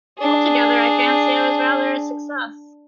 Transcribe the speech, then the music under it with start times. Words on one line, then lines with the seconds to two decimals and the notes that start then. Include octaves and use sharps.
Altogether I fancy I was rather a success.
0.19 D4 G#4